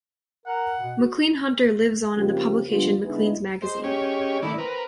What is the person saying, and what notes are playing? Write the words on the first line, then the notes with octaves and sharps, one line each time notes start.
Maclean-Hunter lives on in the publication "Maclean's" magazine.
A#4 F#5
B2
F#4
C#3 F3 A#3 C4 G4
D3 F3 G3 B3 F4
D3 G#3 B3 D#4 E4
G#3 C5
C#4 G4 C#5
D#3 A3 E4 D5
C4 A#4 B4